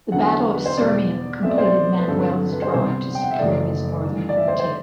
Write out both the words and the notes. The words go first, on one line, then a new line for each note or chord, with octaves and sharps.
The Battle of Sirmium completed Manuel's drive to secure his northern frontier.
E2 D3 F#3 B3 F#5
B4
C5
E2 B2 G3 B3 D5
B1 B2 A3 C4 E5
D5
C5
D5
B4
G2 D3 F#3 C4 A4
B4
A4
B4
C5
C2 C3 G3 B3 C5
G5
F#5
E5
F#1 F#2 E3 A3 D5
G1 G2 E3 A3
D5
E5
C5
C5